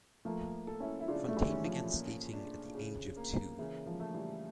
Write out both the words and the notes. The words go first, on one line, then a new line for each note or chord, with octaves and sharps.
Fontaine began skating at the age of two.
F3 A3 A#3
A4
C#4 E4
E4
C#3 D4 F4
A3
E3 G3
C#4
F3
A#2
D4
C#3
A#3
C#3 E3
F3
A3
E3 G3